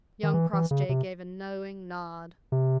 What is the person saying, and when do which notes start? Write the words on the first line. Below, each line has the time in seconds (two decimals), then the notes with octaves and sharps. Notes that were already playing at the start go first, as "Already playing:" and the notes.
Young Crossjay gave a knowing nod.
0.23 D#3
0.34 E3
0.53 E3
0.71 C#3
0.89 C3
2.52 C3